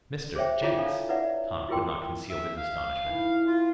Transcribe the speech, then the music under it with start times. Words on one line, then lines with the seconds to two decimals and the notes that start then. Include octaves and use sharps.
"Mr. Jenks?" Tom could not conceal his astonishment.
0.35 G#4 C5 C#5 E5 G5
0.62 E4 F4 G#4 C#5 E5
0.77 D4 A4 F5
1.09 E4 B4 C#5 D5 E5 F#5
1.69 E4 F4 G#4 A#4 G5 C6
2.30 E5
2.57 F5
3.06 E3
3.47 F4